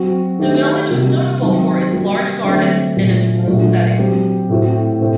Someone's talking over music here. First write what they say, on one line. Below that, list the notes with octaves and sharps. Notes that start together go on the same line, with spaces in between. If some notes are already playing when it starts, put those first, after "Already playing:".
The village was notable for its large gardens, and its rural setting.
Already playing: F#3 C4 F#4
D#3 A3 D4 G4
C3 G3 A#3 F#4
D#3 F#3 C4
G3 A#3 F#4
D3 F#3 A3 C4
A#2 F#3 A3
A#2 F#3 A3 D4 F#4
F#3 C4 G4
A2 A3 C4 F#4
A2 A3 C4